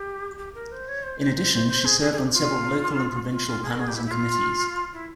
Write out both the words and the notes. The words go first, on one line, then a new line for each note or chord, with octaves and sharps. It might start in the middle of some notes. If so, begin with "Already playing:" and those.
In addition, she served on several local and provincial panels and committees.
Already playing: G4
G4
A#4
C5
C#5
C5
C5
C5
C5
C5
G#4
G#4
G#4
G4
F4
F4
F4
G#4
A#4
G#4
G4
E4
E4
F4
E4